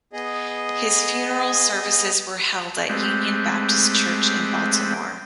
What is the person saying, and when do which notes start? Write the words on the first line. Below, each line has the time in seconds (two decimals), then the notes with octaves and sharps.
His funeral services were held at Union Baptist Church in Baltimore.
0.13 B3 G#4 D#5
2.89 G#3 A3 C4 G4 B4